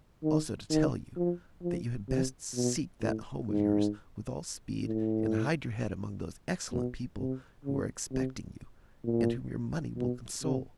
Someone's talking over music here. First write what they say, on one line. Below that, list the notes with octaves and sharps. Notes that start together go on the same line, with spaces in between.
Also to tell you, that you had best seek that home of yours, with all speed, and hide your head among those excellent people who are expecting you, and whom your money will console.
D#3
D#3
F3
F3
C3
B2
A2
G#2
A2
B2
C3
C#3
C3
A#2
B2
C3